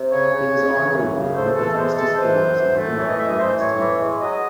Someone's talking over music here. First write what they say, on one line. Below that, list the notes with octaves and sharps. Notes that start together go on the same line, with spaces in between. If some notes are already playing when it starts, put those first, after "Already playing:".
He was arguably one of the fastest bowlers in the world during his time.
Already playing: C3
C#3 C#5
C#3
C#3
E3
F#2
C#3
A3 C5
E3 A4
G#3 C5
E3 A4
E3 C5
F#2
E3
A3
E3 C#5
D#5
A3 E5
D#5
E3 C5
A2 C#5
E3
G#3
F#3 D#5